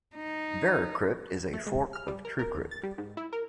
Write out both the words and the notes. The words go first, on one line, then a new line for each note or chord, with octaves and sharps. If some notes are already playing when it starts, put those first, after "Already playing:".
VeraCrypt is a fork of TrueCrypt.
D#4
A3
G#3
F6
G3
A#4
A#4
D#2
A6
G3
G#2
E4
A#4